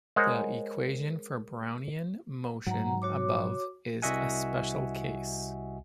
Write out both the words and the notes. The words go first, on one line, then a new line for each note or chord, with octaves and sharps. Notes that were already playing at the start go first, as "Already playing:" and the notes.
The equation for Brownian motion above is a special case.
G#3 A#4 C5 C#5 D#5 F#5
G#2 F#3 F#5 A#5
F#4 C#5 D6
C2 F#4 D#5 E5 F#5 G#5